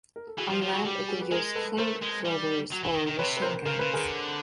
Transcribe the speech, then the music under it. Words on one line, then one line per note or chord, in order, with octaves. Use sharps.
On land it could use flamethrowers or machine guns.
A#4
A4
E3 F#4 G#4
F3 G4
F3 G4
F#3 F#4 G#4
G3 G4
F#4 G#4
B4
G#3 G#4 A#4
A4 B4
A3 A#4 C5
G#3
G3
F#3
E3
D#3
D#3
C3 B4 C#5
B4
A#4 C5
C#3 A#4
C#3 B4
D3 G#4 A#4